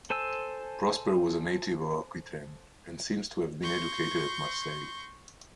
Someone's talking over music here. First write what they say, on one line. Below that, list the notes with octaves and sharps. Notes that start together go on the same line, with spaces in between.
Prosper was a native of Aquitaine, and seems to have been educated at Marseilles.
A4 C5 G#5 A5 E6
C6 C#6 G6 A#6